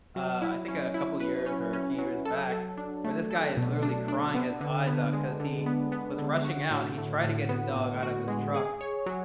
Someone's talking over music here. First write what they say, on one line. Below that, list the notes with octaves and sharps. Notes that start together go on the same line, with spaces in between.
uh, I think a couple years or a few years back, where this guy is literally crying his eyes out 'cause he was rushing out and he tried to get his dog out of his truck
F#3
E4
C#4
E4
B4
C#4
C#4
F#3
A4
A4
D4
A3
A4
B2
D4
D4
B3
D3
B3
G#3
D3
B3
B3
D3
F#4
A2
A2
A2
B3
A2
F#4
G#3
G#4
C#5
F#3